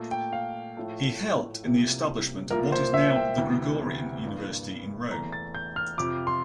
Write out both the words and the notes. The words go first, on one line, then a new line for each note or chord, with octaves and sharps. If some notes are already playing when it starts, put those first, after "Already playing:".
He helped in the establishment of what is now the Gregorian University in Rome.
Already playing: A#2 A3
G5
F5
A2 F3 A3
C2 C3 F3 A#3
C2 A#2 F3 A#3 A#4
C5
E5
G5
D2 C3 E3
G2 E3 A#3
E2 E3 A3 A#5
A6
G6
F6
F2 C3 F3 D6
C6